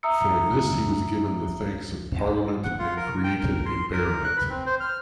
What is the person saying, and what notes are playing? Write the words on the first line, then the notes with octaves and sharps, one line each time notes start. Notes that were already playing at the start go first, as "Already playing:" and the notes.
For this he was given the thanks of parliament and created a baronet.
E5 A#5 D#6 E6 C#7
F#5
F4
A#4
G5
A#4
C6
A#4
F#6
B4
C4
C5
F6